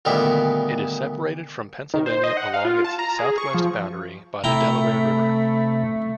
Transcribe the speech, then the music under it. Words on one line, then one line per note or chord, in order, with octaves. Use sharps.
It is separated from Pennsylvania along its southwest boundary by the Delaware River.
D2 A#2 D#3 G3 B3 E5
D#3
C5
D#5
F#5
F5
F4
A5
A#5
G#4
C#6
F3
C3 A3 E4 G5 A#5 B5